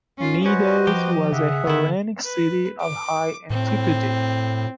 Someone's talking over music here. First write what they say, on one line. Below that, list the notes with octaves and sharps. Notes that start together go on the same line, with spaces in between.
Knidos was a Hellenic city of high antiquity.
C#4 F4
C#4 F#4 B4 C5 D#5
F3 G4
C#3 G#4 E5 F#5
D3 B3 E4
B4
D6
A2 C4